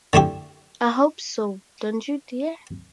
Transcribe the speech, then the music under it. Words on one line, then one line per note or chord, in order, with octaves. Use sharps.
I hope so; don't you, dear?
D3 A3 E4 G4